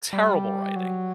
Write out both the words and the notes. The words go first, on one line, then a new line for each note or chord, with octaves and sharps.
Terrible writing.
G3
F#3